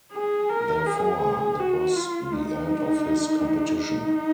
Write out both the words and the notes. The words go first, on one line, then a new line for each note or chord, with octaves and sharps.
Therefore, that was the end of his competition.
G#4
A#4
G#4
F#4
F4
D#4
D#4